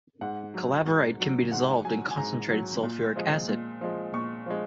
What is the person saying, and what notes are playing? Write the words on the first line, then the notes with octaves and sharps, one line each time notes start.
Calaverite can be dissolved in concentrated sulfuric acid.
G#2 F#5
F#3
G#2
F#3
G#2 F#5
F#3 G#5
G#5
G#2 A#5
F#3
A#2
F3 G#3
A#2
F3 G#3
A#2 C#6
F3 G#3